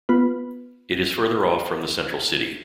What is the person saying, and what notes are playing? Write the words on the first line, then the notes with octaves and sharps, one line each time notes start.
It is further off from the central city.
B3 F4 B4